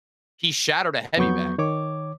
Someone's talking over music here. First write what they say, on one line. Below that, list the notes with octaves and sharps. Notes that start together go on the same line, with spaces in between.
He shattered a heavy bag.
F2 F#3 B3 C#6 G6
D#3 C#5 D6